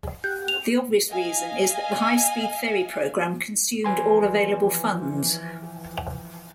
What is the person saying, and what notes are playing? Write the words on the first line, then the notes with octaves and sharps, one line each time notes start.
The obvious reason is that the high speed ferry program consumed all available funds.
G4 F#5 G6
F7
D#5 F5 G#5
E3 F3 B4 G#5 C6